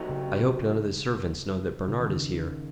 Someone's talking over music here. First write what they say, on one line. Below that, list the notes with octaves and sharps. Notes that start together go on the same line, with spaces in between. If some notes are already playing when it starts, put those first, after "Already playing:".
"I hope none of the servants know that Bernard is here?"
Already playing: C2 C3 F#3 C4 D#4
C#3
C#3
D#3
C#3